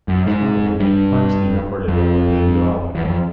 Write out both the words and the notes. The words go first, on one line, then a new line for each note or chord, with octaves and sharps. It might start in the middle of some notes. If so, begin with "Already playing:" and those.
Most notably, Planxty recorded it on their debut album.
F#2
G#2
G2
F2
E2
F2